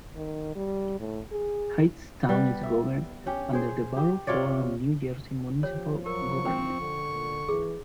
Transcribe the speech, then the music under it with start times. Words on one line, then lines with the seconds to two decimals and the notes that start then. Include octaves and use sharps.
Hightstown is governed under the Borough form of New Jersey municipal government.
0.16 D#3
0.55 G3
1.00 A2
1.32 G#4
2.29 G3 B3 B4
2.63 E5
3.26 C#4 G4
3.53 G#4 C5
3.97 G4
4.27 C3 F4 C#5 D5
5.63 F3 G4 C#5
6.06 F#3 A#4 C#6
6.45 C4 C5 G5
6.81 D3
7.12 A#2
7.49 E3 G#4